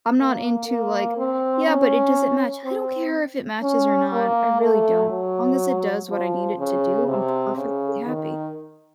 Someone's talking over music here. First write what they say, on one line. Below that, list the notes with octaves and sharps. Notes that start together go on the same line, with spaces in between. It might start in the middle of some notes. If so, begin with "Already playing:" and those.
I'm not into, like, "Yeah, but it doesn't match." I don't care if it matches or not, I really don't. As long as it does what I need it to do, I'm perfectly happy.
A#3
A#3
C4
C#4
C4
C#4
A#3
A3
F#3
F3
C#3
C3
C#3
D#3